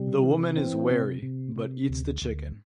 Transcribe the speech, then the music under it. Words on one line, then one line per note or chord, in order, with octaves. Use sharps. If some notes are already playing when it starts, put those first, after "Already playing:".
The woman is wary, but eats the chicken.
Already playing: C3 G3
E3
C4
C3
C3
C3
D2
D2